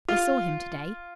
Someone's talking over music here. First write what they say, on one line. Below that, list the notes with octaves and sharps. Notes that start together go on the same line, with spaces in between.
"I saw him to-day."
F4